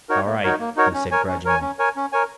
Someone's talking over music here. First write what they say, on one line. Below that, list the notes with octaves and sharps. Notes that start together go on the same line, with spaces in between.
"All right," he said grudgingly.
D#4 F#4 A#4 C#5
A#3
D#4 F#4 A#4 C#5
A#3
D#4 F#4 A#4 C#5
C#4
A#4 C#5 G#5
C#4
A#4 C#5 G#5
C#4
A#4 C#5 G#5
C#4
A#4 C#5 G#5